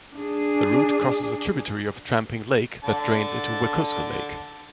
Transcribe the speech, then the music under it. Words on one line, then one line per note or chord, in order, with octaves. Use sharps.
The route crosses a tributary of Tramping Lake that drains into Wekusko Lake.
D4 G#4
D3 A5